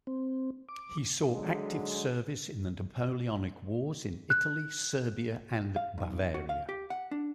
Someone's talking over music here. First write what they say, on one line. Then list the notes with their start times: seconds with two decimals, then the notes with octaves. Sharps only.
He saw active service in the Napoleonic Wars in Italy, Serbia and Bavaria.
0.07 C4
0.69 D6
1.32 D3 F#3 G#3
4.30 F#6
5.76 F5
5.98 B1
6.34 F#4
6.49 F5
6.69 G4
6.90 F#5
7.11 D4